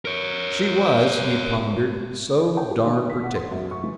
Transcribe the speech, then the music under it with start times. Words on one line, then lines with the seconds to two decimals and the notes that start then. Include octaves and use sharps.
She was, he pondered, so darn particular.
0.05 A#4 C#5
2.57 G5
2.70 G4
2.85 D#3
2.97 E4
3.10 B6
3.23 F#5
3.35 C6
3.51 F#2
3.71 C#6
3.84 E3